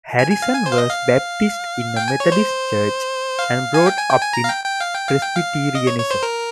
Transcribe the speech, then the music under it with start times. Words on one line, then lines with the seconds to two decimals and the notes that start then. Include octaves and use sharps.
Harrison was baptised in a Methodist church and brought up in Presbyterianism.
0.19 G#5
0.31 G#5
0.42 F5
0.55 G#5
0.66 C5
0.73 F5
0.78 D#5
0.90 F5
1.97 G5
2.08 G#5
2.20 C#5
2.32 C5
3.39 F5
3.74 G#5
3.86 G5
3.98 G#5
4.09 G5
4.21 G#5
4.33 A#5
4.44 F5
4.49 G5
4.65 G5
4.81 F5
4.95 G5
5.08 F5
5.22 G5
5.36 F5
5.75 D#5
5.87 C#5
5.99 C#5
6.11 C5
6.23 A#4